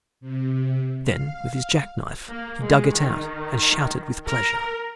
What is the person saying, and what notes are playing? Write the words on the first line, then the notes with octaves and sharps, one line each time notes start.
Then with his jack-knife he dug it out and shouted with pleasure.
C3
F5
A#3
G#3
D#3
A#4